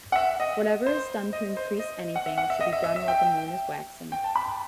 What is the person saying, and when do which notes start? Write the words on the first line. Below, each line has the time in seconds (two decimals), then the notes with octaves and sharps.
Whatever is done to increase anything should be done while the moon is waxing.
0.12 F#5
0.16 E5
0.40 D#5
0.86 C5
1.33 D#5
1.57 C5
1.79 D#5
2.16 F#5
2.26 E5
2.38 F#5
2.50 E5
2.60 D#5
2.73 E5
2.84 E5
2.96 E5
3.08 G5
4.12 G5
4.24 A5
4.36 B5